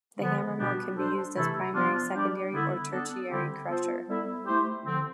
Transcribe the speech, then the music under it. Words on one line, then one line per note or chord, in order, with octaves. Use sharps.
The hammermill can be used as a primary, secondary, or tertiary crusher.
D3 F3 B3
B2 G3 B3 D4 G4
G3 D4 A4 C5
C3 E3 A3 E4 A4
F3 B3 D4 F4
G3 D4 G4 D5
D3 G3 B3 E4
B3 D4 A4
D3 G3 C4 E4 G4
B3 F4 A4 C5
G3 B3 E4 A4
A3 E4 G4 C5
D3 F3 C4